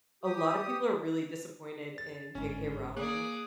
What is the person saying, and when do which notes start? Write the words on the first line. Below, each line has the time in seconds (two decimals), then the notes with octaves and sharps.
a lotta people are really disappointed in J.K. Rowling,
0.23 G4 D#6
1.98 A6
2.35 G1 G#2 C#4
2.97 A#3 G#4 D5 F#6